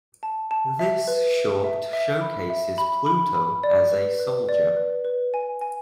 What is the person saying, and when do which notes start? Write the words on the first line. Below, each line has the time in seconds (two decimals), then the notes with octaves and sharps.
This short showcases Pluto as a soldier.
0.23 A5
0.51 A5
0.79 E5
1.08 B4
1.36 E5
1.64 E5
1.93 E5
2.21 B5
2.50 E5
2.78 B5
3.06 B5
3.35 B5
3.63 D5
3.91 B4
4.20 B4
4.49 D5
4.77 B4
5.05 B4
5.34 G#5
5.61 G#5